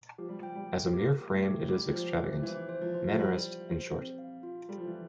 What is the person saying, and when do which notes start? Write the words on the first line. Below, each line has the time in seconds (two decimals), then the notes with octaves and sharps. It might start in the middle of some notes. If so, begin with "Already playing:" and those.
As a mere frame it is extravagant: Mannerist, in short.
0.18 F3 G4
0.29 G3
0.39 F3 G5
0.55 G3
0.68 G4
0.93 A#3 G4
1.18 G4
1.30 A3
1.43 G4
1.68 G3 G4
1.93 F3 C5
2.19 E3 G4
2.43 E3 C5
2.69 C5
2.81 F3
2.94 C5
3.08 F3
3.18 G3 C5
3.44 F4
3.69 C5
3.94 C4
4.18 F5
4.43 F4
4.69 G3 A4
4.78 F3
4.87 E3